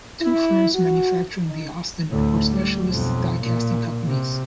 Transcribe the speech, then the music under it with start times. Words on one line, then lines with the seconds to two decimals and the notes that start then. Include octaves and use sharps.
The two firms manufacturing the Austen were specialist diecasting companies.
0.20 E4
0.74 F#4
1.46 D#4
2.10 D2 A2
2.49 G3
2.88 B1 F2
3.42 A#2
4.06 C3